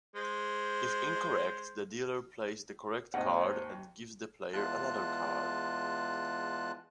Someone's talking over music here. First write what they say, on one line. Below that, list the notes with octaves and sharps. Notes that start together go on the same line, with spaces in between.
If incorrect the dealer plays the correct card and gives the player another card.
G#3 C5
G#1 D#2 C5 D#5 F#5
E2 G#3 F4 A5 F#6